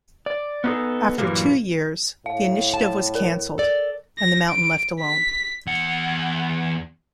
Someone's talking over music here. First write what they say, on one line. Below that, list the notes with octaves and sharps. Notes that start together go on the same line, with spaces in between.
After two years the initiative was cancelled and the mountain left alone.
D5
B3 C#4 D#4 F4 G#4 A4
G2 A#2 E3 F#3 G3 A#3
A2 F5
A5
A#4
A4 D5
A#6
D7
B6
E2 F#5